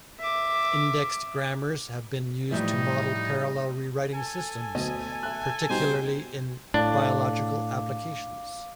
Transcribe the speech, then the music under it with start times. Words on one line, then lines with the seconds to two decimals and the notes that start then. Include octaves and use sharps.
Indexed grammars have been used to model parallel rewriting systems, particularly in biological applications.
0.20 E5 D6
2.51 A2 E3 F3 G3 D#4 E5
4.15 A4 G#5
4.75 D2 B2 D#5
5.23 E5 F#6
5.69 B2 G3 D#4 C5 G#5
6.74 A2 D4 F5 D6